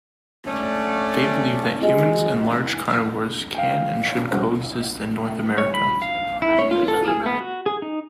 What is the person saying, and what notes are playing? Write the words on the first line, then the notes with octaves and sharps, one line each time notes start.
They believe that humans and large carnivores can and should co-exist in North America.
A3 C#4 D5
G#3
F5 G5
E1 G2 F#4 C5
C#5
B5
F5
E4
C#5
F4
A4
G#4
B3
F#4
G#4
D#4